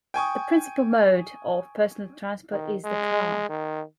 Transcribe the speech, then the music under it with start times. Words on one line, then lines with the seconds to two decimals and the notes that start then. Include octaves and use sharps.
The principal mode of personal transport is the car.
0.14 G5 G#5 C#6 D#6
2.52 D#3
2.84 G#3
3.49 D#3